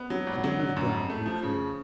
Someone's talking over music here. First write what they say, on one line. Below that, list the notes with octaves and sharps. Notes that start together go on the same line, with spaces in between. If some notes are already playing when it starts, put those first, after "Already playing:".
Sir Daniel's brow grew clearer.
Already playing: B3
F#3
G#1
F#3
D3
F#2
F2
A3
F3
C#3